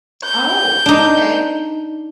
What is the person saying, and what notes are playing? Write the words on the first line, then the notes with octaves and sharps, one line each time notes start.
Oh, okay.
G6
D4 D#4